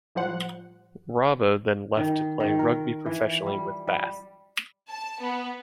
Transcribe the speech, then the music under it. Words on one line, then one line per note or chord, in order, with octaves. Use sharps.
'Robbo' then left to play rugby professionally with Bath.
A2 F3 G3 C5 F#5
D#3
D#3
A#4
E3
G3
G3
A5
B3